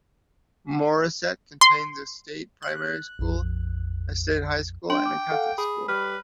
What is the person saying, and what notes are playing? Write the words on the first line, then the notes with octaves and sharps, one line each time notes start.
Morisset contains a state primary school, a state high school and a Catholic school.
C6
F#6
A#1 F2
D4 G5 C6 F#7
D6
A4 F5 F#5
G#4 B5
G3 B4 F6